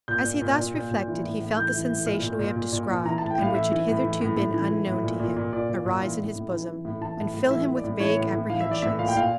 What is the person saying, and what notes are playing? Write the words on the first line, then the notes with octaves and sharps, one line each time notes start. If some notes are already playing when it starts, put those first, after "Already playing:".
As he thus reflected, he felt the sensation we have described, and which had hitherto been unknown to him, arise in his bosom, and fill him with vague apprehensions.
A#2 G6
A#2
A#2
A#2
A#2
A#2
E3
A2
A2
E3 G6
E3
A2
A#2 F6
A#2
A#2
A#2
A#2
A#2
E3 A#5
A5
A2
G5
A2 F5
E3 E5
E3
A2
E3
A2
A2
E3
E3
A2
A#2
A#2
A#2
A#2 D5
A#2
A#2
E3
A2
A2
E3
E3
A2
E3 A5
A2
A2
E3 E5
E3
D5
A2
E3 C#5
A2
A2
E3 F5
E5
E3
D5
A2 E5
A#2 F5
G5
A#2 F5